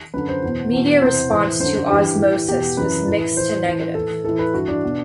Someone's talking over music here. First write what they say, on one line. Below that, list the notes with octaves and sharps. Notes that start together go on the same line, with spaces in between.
Media response to "Ozzmosis" was mixed to negative.
F#2 D3 B4
C5
E2 B2
E2 B2
E2 C3 E3 C5
A2 E3
F#2 D3 C5
C5
G2 E3 G4
A2 E3
E2 B2 G4
F#2 E3 B4
A2 E3
A2 E3 C5
A2 E3
A2 E3 A4
A2 E3 A4
B4
G2 E3 F#4
D4
B2